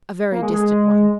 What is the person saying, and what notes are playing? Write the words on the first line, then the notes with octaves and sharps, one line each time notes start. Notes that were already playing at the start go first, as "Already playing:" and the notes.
"A very distant one."
A#3
G#3
G#3